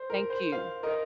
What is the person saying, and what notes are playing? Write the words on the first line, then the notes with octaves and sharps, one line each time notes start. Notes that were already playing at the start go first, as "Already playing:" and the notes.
Thank you.
Already playing: C5
A#4
C5
C5 F5
A#4 D#5